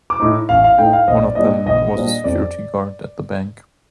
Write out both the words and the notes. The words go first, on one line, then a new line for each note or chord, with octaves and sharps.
One of them was a security guard at the bank.
D6
A2 A3 D#4
A1 F5
F5
A2 A3 D#4 G5
F5
A#1 D#5
D5
A#2 G3 D4 D#5
A#1 D#5
A#2 G3 D4
F2 D5